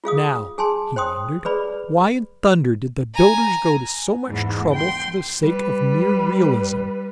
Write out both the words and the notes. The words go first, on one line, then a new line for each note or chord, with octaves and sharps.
"Now," he wondered, "why in thunder did the builders go to so much trouble for the sake of mere realism?"
F4 G#4 F5 D#6
G#4 G#5 A5 C6
C5 G5 C6 D#6
G#4 B4 D5 B5
G#5 A#5
E2 G#2
G5 C6
G3 B4